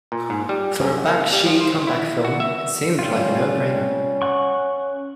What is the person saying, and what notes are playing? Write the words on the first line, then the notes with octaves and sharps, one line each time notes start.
For a Bakshi comeback film, it seemed like a no-brainer.
A#2
G#2
G3
F#2
A#3
G3
F3
C5
E4
F#4
E5
G3 C#4 F4
F#5 C#6